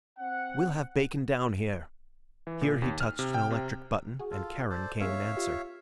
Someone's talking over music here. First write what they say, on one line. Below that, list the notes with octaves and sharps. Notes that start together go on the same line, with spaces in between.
"We'll have Bacon down here." Here he touched an electric button, and Charon came in answer.
C4 F#5
E3
A#2
D#2
F6
C3
G5
C3
F#4 G#4
F4 A4
A4 C5 D5
G#3 A#3 C#4 C#5 E5 F5
F4 G4